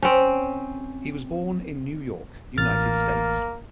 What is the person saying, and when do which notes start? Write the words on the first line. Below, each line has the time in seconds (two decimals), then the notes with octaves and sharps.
He was born in New York, United States.
0.02 C4 C#4
2.57 A1 A#3 F6 A6